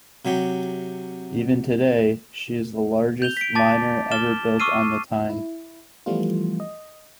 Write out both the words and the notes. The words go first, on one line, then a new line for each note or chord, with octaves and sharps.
Even today, she is the largest liner ever built on the Tyne.
C3 F#3 G4
G6 F7 G7
B6 D7
A5 D6 A6
D6 F6 A6 E7 G7
C#6 D6 E6 F6 C7 D#7
E4
E3 F3 G3 A3 B3 F4
D#5